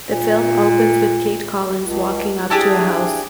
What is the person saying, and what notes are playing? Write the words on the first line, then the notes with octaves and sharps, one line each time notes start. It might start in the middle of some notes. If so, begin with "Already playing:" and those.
The film opens with Kate Collins walking up to a house.
A#2
C#2
D4 E4 G4 G#4